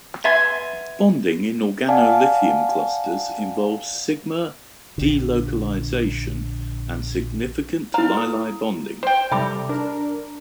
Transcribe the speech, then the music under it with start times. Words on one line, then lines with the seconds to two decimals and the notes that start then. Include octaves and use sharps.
Bonding in organolithium clusters involves sigma delocalization and significant Li-Li bonding.
0.24 B3 E5 G#5 C6
1.89 D5 F5 F#5 G#5 A5
4.98 A#1 D3
7.94 E4 F5 A#5
8.17 A4
9.03 C5 G5
9.32 C3 G3 A4 E5 B5 D6
9.69 D4 A#4